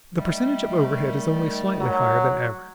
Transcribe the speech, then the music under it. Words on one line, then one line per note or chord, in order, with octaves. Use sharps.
The percentage of overhead is only slightly higher than average.
D#3 G3 A3
F#3